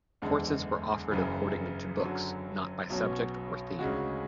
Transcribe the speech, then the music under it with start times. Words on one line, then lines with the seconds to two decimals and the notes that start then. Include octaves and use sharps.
Courses were offered according to books, not by subject or theme.
0.22 F#1 E2 D3 G#3
1.11 F#1 F#2 C#3 E3
2.00 F#2 D3 F#3
2.90 B1 B2 F#3 C#4
3.79 D2 C#3 G#3 C#4 F#4